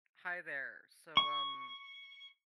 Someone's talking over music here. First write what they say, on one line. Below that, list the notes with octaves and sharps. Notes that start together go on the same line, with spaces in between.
Hi there. So, um,
C#6